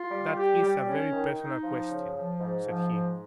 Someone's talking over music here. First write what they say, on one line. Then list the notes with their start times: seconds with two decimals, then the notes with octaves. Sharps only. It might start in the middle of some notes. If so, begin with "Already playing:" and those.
"That is a very personal question," said he.
Already playing: F4
0.11 G3
0.37 G4
0.62 G3
0.88 C#4
1.12 D#3
1.38 D#4
1.64 F3
1.89 C#3
2.15 F3
2.40 G#2
2.66 F3
2.91 G#2